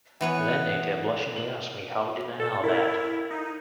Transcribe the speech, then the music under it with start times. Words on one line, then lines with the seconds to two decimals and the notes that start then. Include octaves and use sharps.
Then Ada blushingly asked me how did I know that.
0.21 E3 B3 C#5 F#5
1.36 F#7
2.40 A4
2.64 E4 A#4
3.31 D#4